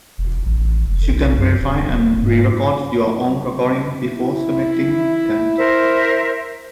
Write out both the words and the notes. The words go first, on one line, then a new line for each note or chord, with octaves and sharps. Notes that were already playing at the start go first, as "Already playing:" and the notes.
You can verify and re-record your own recordings before submitting them.
E1
A1
F1
B1
F#2
D1
D#1
G#2
E4
A#4 C5 E5